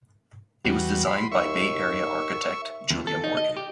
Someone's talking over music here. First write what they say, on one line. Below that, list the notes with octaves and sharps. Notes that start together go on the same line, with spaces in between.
It was designed by Bay Area architect Julia Morgan.
E2 G3 F#4
B5 C6
D#2 E5 C#6
D#2
A4
D#4
D#5
G4